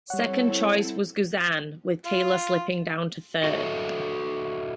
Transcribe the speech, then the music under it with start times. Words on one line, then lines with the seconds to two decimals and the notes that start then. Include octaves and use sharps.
Second choice was Guzan with Taylor slipping down to third.
0.10 G3 C4 E4 A4 C#5 F#5
2.06 F4
3.44 F#4 A4 D#5 E5